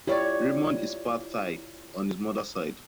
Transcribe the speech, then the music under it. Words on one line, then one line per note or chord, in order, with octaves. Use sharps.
Raymond is part-Thai on his mother's side.
E4 F4 G4 C#5 D5